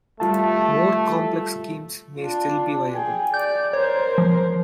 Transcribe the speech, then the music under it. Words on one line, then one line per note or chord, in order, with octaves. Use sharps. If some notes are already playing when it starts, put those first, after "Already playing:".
More complex schemes may still be viable.
G3 A3 F4 A5
D4 F4
G#4 G5
D5 G6
A#4 C5 C#5
F3